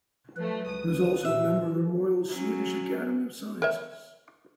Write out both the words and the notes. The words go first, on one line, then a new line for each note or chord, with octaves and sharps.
He was also a member of the Royal Swedish Academy of Sciences.
F3 F#3 A3 B4
C#2 D#6
A#2 E5
F#3 C#4
A#4 C#5 E5